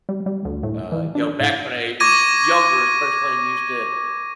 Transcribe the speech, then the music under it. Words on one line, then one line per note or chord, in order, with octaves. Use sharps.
uh, you know, back when I was younger, especially, and used to
G3
G3
D2
A2
E3
D4
A2
C#6 D6 G#6 A#6 D#7